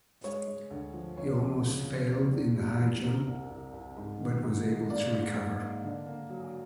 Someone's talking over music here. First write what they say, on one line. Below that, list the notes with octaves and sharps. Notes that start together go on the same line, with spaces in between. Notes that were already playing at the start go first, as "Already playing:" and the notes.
He almost failed in the high jump but was able to recover.
G#3 C#5
G#3
D2
F3
F2 C#5
F2
C#3
F2
E2
E2
G3
E2
C3 A#4
C2
C2
C2
G#2
D#3
G#2
G#3
A#3 D5
G#2
G#2
A#3
D3
A#3
F#3